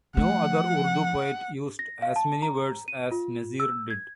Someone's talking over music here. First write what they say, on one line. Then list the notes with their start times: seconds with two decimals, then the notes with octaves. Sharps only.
No other Urdu poet used as many words as Nazeer did.
0.17 F3 A3 F#5
1.79 A#6
2.02 F5
2.16 A5
2.42 A#5
2.88 D#7
3.12 F4
3.60 E6
3.90 G#6